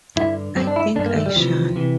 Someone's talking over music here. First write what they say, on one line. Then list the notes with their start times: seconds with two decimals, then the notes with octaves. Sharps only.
I think I shall.
0.16 G2 D3 E4
0.56 G2 D3 C4
0.67 D4
0.76 E4
0.96 D3 D4
0.99 G2
1.06 A#3
1.16 A3
1.26 G3
1.36 D2 C3 E3 F3
1.76 C3 E3